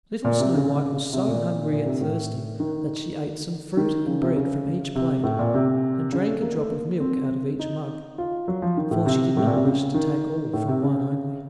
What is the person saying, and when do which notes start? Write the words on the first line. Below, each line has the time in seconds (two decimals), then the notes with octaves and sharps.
Little Snow-white was so hungry and thirsty that she ate some fruit and bread from each plate, and drank a drop of milk out of each mug, for she did not wish to take all from one only.
0.25 A#2
0.40 C3
0.54 C#3
1.13 C3
1.28 A#2
1.72 A#2
1.86 C3
2.01 A2
2.60 D#3
3.77 D#3
4.06 C#3
4.22 C3
4.36 C#3
4.95 C3
5.24 A2
5.39 A#2
5.54 C3
6.12 C#3
6.27 A3
6.42 A#3
6.56 A3
6.71 A#3
7.00 C4
7.59 D#4
8.18 F4
8.48 F#3
8.62 F3
8.77 D#3
8.91 A2
9.06 C3
9.37 A2
9.46 A#2
9.56 C3
9.65 C#3
9.94 D#3
10.54 A2
10.68 C3
10.83 C#3